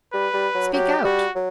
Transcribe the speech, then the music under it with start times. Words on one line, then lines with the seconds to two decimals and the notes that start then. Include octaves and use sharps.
"Speak out."
0.13 G3 B4
0.34 G3
0.55 F#3
0.74 F#3 G4
1.04 G3 F#4
1.35 F#3